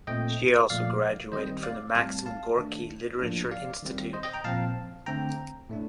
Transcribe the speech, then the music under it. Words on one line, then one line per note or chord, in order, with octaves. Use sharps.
She also graduated from the Maxim Gorky Literature Institute.
A#2 A3 C4 D#5 G5
A#2 F3 A3 D5 F5
D#3 G3 C4 C5 D#5
D5 F5
A2 G3 C4 F5 A5
F5 A5
D#3 A3 D4
A2 F3 A#3 D4
D5 F5
D#3 G3 C4
C5 D#5
D#5 G5
G5 A#5
A#2 F3 C4 F5 A5
D3 A3 C4 G5 A#5
A2 A3 D4